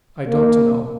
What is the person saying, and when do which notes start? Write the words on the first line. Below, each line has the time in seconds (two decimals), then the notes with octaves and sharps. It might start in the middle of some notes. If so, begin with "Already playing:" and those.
'I don't know.
0.29 A#3